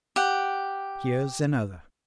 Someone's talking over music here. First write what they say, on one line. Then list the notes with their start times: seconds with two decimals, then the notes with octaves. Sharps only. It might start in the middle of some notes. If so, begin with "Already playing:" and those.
"Here's another."
0.16 G4 F#5